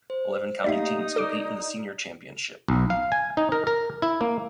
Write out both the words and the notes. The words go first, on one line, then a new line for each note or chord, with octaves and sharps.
Eleven county teams compete in the Senior Championship.
C5
A3 A#3 D#4 G4 D5 E5 F5 D#6
A4 D5 D6 D7
B1
F5
G#5
D#4
A#4
A#4
E4
A#3